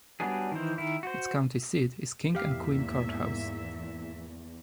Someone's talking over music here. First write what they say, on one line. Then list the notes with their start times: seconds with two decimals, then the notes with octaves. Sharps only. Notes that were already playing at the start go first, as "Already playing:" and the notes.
Its county seat is King and Queen Court House.
0.20 F#3 G3 B3 D4 G#4
0.52 D#3 E3 C5
0.78 D#3 E4
1.03 F#4 C5
2.35 E2 G#2 A#3 G4 E5 F5